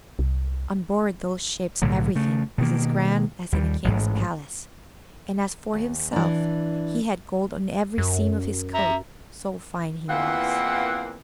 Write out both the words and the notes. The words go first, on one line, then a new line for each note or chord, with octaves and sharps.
On board those ships everything was as grand as in a King's palace; and as for himself, he had gold on every seam of his coat, so fine he was.
C2
B1 A2 D3 F#3
C#3 A3
B2 D#3 A#3
D#2 G3
A1 G#2
D#2
E3 D4
F#2
E5 A#5
E2 E3 A#3 C4 F4 F#5